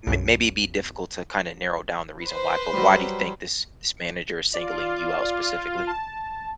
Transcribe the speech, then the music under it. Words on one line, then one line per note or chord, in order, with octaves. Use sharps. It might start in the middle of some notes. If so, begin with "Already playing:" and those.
may maybe be difficult to, kinda, narrow down the reason why, but why do you think this this manager is singling you out specifically?
B1 F#2
B4 C5
F#3 G3
F4 D5
A5